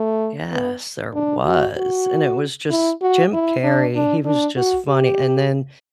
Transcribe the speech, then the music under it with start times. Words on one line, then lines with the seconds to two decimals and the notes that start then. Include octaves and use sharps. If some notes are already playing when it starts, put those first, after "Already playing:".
Yes, there was, and it was just Jim Carrey, he was just funny and then,
Already playing: A3
0.51 B3
1.14 D4
1.45 F#4
1.77 F#4
2.70 E4
3.02 F#4
3.33 E4
3.63 D4
3.95 D4
4.25 D4
4.57 F#4
4.88 G4